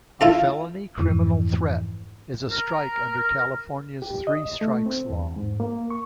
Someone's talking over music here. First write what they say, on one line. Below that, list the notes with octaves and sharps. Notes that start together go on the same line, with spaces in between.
A felony criminal threat is a strike under California's three strikes law.
E4 F4 A4
F2 G#2 E3
A#4
G4
D#5
A3
C4
E2
G#2
A#3
C#6